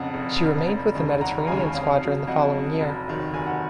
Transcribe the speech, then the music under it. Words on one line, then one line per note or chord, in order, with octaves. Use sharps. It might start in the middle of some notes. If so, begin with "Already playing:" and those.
She remained with the Mediterranean Squadron the following year.
Already playing: F1 F2 C#3 D#5 F#5
F1
F2 C#3
F1
D#2 C#3 G#3
F1 F#5 A#5
D#2 C#3 G#3 F5 G#5
F2 C#5 F5
C#3 F#3
F2 D#5 F#5
C#3 F#3
F1
D#2 D#3 F#3
F1 G#5
F#5